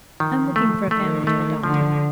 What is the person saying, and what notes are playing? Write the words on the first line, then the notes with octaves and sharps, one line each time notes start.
I am looking for a family to adopt him.
D#3 F3
A3
D#3 A3
A3
D3 F3